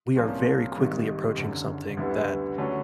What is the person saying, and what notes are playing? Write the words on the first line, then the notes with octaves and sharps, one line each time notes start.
we are, very quickly, approaching something that,
C2 A#2 F3 A#3 C#4
G#1 G#2 D#3 G3
F#1 F#2 D3
D2 D3 G3 B3 E4
D3 F#3 A3 C#4